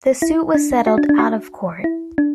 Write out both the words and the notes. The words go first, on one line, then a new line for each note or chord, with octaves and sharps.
The suit was settled out of court.
E4
D4
F#4
D4
D4
F#4
E4
D4